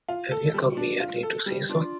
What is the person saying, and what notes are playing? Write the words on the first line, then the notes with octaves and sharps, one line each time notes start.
Have you come merely to say so?
F4
A4
G3
D4
F4
A4
G3
D4 F4